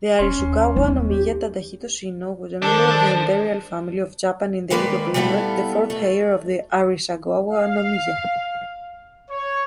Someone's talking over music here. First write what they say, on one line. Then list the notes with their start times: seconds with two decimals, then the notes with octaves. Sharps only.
The Arisugawa-no-miya Tadahito Shinnō was a member of the Imperial Family of Japan in the Edo period, the fourth heir of the Arisugawa-no-miya.
0.19 D#1 C#4 C6
0.39 D#2
0.75 B3 D#4
1.10 G4
2.62 D#3 D4 A4 C5 A5
4.70 D#3 G#3 A#3 B4 C#5 D5
5.14 G3 A3 B3 E4 A4 F5
5.90 A3
7.52 F5
9.30 C#5